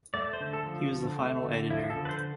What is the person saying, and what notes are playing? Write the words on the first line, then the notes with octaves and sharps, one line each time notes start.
He was the final editor.
A3 D5
C5
D3
A4
F3
D3
A3
D3
F3 E4
A4
D3
B4
C5